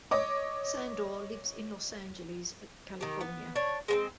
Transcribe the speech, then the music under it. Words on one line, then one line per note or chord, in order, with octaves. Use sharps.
Sandor lives in Los Angeles, California.
C#5 D#5 D6
D#3 G4
B3
D4 C#5
G#3 B3 C4